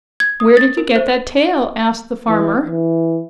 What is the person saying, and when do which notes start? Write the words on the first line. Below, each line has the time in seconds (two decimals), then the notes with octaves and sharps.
"Where did you get that tail?" asked the farmer.
0.20 G#6
0.40 D#6
0.57 A6
0.77 A#4
0.96 C5
2.28 E3
2.65 E3